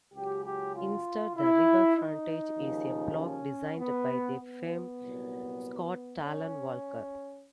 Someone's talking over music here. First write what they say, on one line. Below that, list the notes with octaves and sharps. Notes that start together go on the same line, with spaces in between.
Instead the river frontage is a block designed by the firm Scott Tallon Walker.
C#2 C#3 F#3 G4
G4
F4
E4
D#4
D#2 C#3 F3
C#4
B3
B3
C2 A#2 F#3
C#4